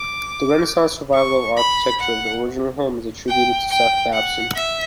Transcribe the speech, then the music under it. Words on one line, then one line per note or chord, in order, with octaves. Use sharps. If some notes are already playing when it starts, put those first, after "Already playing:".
The Renaissance Revival architecture of the original home is attributed to Seth Babson.
Already playing: D6
C#6
B5
F#5
G5
G5
F#5
E5